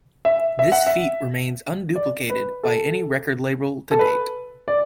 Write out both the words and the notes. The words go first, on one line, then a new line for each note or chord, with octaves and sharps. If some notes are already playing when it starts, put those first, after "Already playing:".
This feat remains unduplicated by any record label to date.
E5
E5
F#5
E5
D5
B4
A4
A4
B4
D5